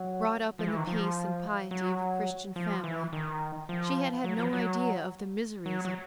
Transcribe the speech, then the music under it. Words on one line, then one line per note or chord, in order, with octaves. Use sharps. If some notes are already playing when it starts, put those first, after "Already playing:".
Brought up in the peace and piety of a Christian family, she had had no idea of the miseries of paganism.
Already playing: F#3
F3
E3
D#3
F3
F#3
F3
E3
D#3
F3
F#3
F3
F#3
F#3
F#3